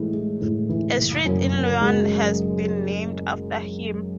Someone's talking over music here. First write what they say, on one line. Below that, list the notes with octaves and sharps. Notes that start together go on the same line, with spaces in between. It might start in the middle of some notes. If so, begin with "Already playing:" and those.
A street in Lyon has been named after him.
Already playing: A2 E3 G#3
G#3
A2
E3
F#1
F#2
F#1
G#3